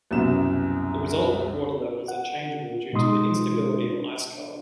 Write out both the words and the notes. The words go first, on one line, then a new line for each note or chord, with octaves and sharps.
The resultant water levels are changeable due to the instability of ice cover.
C2 F#2 B2 E7
F#5
B2 G#3 D#4 C6 D#6
D4